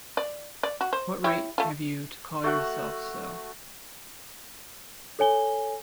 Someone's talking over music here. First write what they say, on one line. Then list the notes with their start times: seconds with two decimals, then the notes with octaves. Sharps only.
What right have you to call yourself so?
0.17 D5
0.63 D5
0.81 F#4
0.93 C5
1.24 E4 G4 C#5
1.58 A3 F4
2.44 A3 F#4 F#5
5.19 A4 C#5 G#5 G7